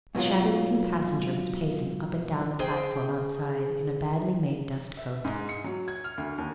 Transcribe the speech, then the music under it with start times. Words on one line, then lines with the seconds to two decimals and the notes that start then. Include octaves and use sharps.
The shabby-looking passenger was pacing up and down the platform outside in a badly-made dust-coat.
0.15 G#2 B2 F#3 F4
2.59 G#4 C5 G5
4.97 E5
5.25 G#2
5.49 C#7
5.64 F#3
5.88 G#6
6.04 F6
6.18 D2
6.38 D#2